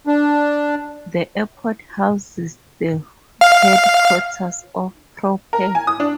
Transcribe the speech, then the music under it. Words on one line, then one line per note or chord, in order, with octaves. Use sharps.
The airport houses the headquarters of Propair.
D4
F5
A#4
G#5
D#6
D4